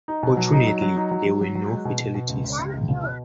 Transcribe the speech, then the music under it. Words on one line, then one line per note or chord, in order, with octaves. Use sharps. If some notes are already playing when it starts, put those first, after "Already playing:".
Fortunately, there were no fatalities.
D#4
B2
F#3
D#4
F#3
F#3
D#4
F#3
F#3
F#3
F#3
G#3
B2
B2
B2
C#2
C#2
C#2
C#2
B2
B2